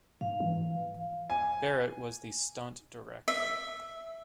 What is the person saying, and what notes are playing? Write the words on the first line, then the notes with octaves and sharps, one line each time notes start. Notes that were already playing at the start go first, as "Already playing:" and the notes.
Barrett was the stunt director.
G#2 F5
E3
G#5
E5